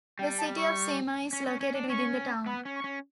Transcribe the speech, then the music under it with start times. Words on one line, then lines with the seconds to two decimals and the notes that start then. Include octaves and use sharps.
The City of Seymour is located within the town.
0.19 G3 G5
0.38 A5
0.57 C#6
1.33 C#4
1.47 C#4
1.61 C#4
1.75 D4
1.90 C#4 C#6
2.46 B3 B5
2.65 C#4
2.75 C#6
2.84 C#4